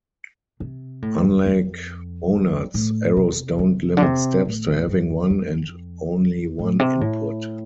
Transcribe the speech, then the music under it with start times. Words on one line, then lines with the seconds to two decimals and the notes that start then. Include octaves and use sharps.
Unlike monads, arrows don't limit steps to having one and only one input.
0.60 C3
1.02 A2
1.24 F2
1.46 F2
2.74 A2
3.17 C3
3.59 C3
3.97 D3
4.02 C3
4.45 A2
4.88 G2
5.30 F2
6.59 A2
6.79 C3
7.01 A2